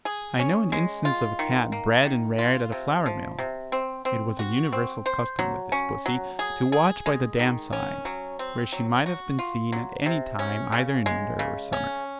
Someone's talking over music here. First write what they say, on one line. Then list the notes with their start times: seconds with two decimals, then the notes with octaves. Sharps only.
I know an instance of a cat bred and reared at a flour mill: it was a universal custom with this pussy to watch by the dam-side, where she might have been seen at any time either in winter or summer.
0.05 G#4
0.39 C#4
0.72 G#3
1.05 F4
1.39 D#3
1.72 A#3
2.05 D#3
2.39 F4
2.72 C3
3.06 F3
3.39 C3
3.72 C4
4.05 C4
4.39 F#4
4.73 C4
5.06 C5
5.39 F#3
5.72 C#4
6.06 F#3
6.39 G#4
6.72 G#4
7.06 G#3
7.39 D#3
7.73 C#4
8.05 F#3
8.39 C4
8.72 F#3
9.06 F#4
9.39 F4
9.72 F#3
10.06 C3
10.39 C#4
10.72 C#3
11.06 G#3
11.39 C#3
11.73 C#4